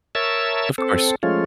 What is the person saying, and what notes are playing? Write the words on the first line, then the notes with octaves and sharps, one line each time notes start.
of course.
A#4 C#5 E5 A5 E6
C4 A4
F3 G#3 A3 C#4 F4